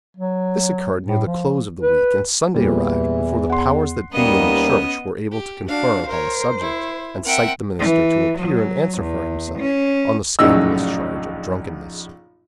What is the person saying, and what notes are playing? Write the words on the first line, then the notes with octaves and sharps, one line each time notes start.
This occurred near the close of the week, and Sunday arrived before the powers that be in the church were able to confer upon the subject, and cite the minister to appear and answer for himself on the scandalous charge of drunkenness.
F#3
A2
F3
B4
E2 A#2 E3 G3
F#5 C6
D#2 G3 A#3 B3 C#4 D#5
G4
D4 F#4 F5
A#4 C5 C#5
E4
C4 A#4 E5 F#5 G5
E3
F#3
E2
C#4
A#1 F#2 A2 C#3 D#4 E6